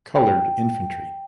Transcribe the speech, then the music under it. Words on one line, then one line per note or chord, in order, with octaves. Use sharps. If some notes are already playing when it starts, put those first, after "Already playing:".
Colored Infantry.
G5